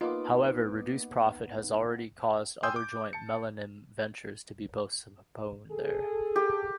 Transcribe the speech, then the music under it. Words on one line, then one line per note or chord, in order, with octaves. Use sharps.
However, reduced profit has already caused other joint melamine ventures to be postponed there.
A#3 B3 D#4 F4 D6
G5 G#5 C6 D#6 E6 G6
D6
A5 C#7
G#4 A4
G4